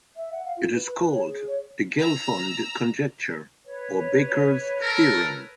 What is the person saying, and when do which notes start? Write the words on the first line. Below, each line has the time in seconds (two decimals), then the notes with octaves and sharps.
It is called the Gelfond conjecture or Baker's theorem.
0.16 E5
0.32 F#5
0.45 F5
0.57 F4
0.74 B4
0.91 B4
1.12 C#5
1.27 G#4
1.47 C#5
1.98 A#5 E6
3.65 B4 C#5
4.80 A4 A#4